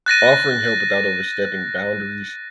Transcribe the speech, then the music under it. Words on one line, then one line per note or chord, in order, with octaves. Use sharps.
offering help without overstepping boundaries,
F#6 A6 A#6 D#7